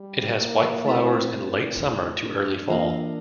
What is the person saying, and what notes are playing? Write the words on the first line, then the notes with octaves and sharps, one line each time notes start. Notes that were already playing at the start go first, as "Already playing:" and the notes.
It has white flowers in late summer to early fall.
Already playing: G3
A#3
A3 C4 E4 A#4
C4
D4
E3 A#3 F4 A#4 D5